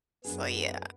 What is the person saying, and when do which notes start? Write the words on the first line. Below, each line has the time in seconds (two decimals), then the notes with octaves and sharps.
So, yeah.
0.25 F#2 B3 D4 G#4